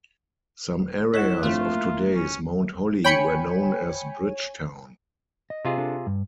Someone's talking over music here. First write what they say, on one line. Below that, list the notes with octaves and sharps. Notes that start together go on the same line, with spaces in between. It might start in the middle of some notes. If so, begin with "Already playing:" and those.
Some areas of today's Mount Holly were known as Bridgetown.
E4 C#5 D#5 F#5 F#6 E7
G1 F3 A3 C4 F4
A#3
C#4
C#5 G5 G#5 B5 C#7
D#5
C3 F4 G#4
D4 A4
G2